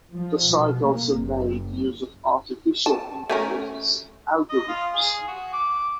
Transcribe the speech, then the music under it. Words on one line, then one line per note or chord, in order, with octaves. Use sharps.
The site also made use of artificial intelligence algorithms.
F3
B2
A#3
F#1
A5
A3 C#4 A#4
D#5
F4
G#4
F#4
D6